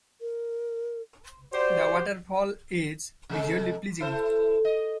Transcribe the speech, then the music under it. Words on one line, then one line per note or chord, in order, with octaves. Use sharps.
The waterfall is visually pleasing.
A#4
F#4 G4 C5 D5
C3 G#3 A4
E4 A4 C5
D#5